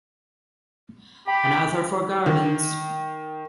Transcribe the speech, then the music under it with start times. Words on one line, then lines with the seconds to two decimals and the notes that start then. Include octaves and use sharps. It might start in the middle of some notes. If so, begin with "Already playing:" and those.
Another for gardens.
1.28 G4 G5 B5
2.26 D#3